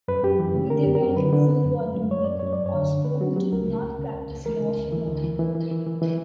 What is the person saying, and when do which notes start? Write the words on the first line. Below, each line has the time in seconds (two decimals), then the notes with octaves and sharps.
With the American Civil War looming, Osborn did not practice law for long.
0.08 F#2 B4
0.23 F#2 G4
0.40 E3
0.55 C#3
0.70 D3 A#4
0.83 F#2 G4
0.95 A#4
1.02 F#3
1.17 D3 B4
1.33 D3
1.49 D3
1.64 F#2
1.80 F#2
1.96 F#2
2.11 F#2 C#5
2.25 F#2 D5
2.40 F#2 C#5
2.53 D5
2.58 G2
2.66 C#5
2.74 D3
2.89 D3
3.04 D3 B4
3.21 F#3 F#4
3.36 F#3 G4
3.52 C#2 A#4
3.68 C#3
3.83 C#2
3.99 C#3
4.14 C#2
4.30 C#2
4.46 E3 A#4
4.61 C#3
4.78 D2
4.93 E3
5.08 D2
5.24 E3
5.39 E3
5.55 E3
5.71 E3
5.86 E3
6.02 E3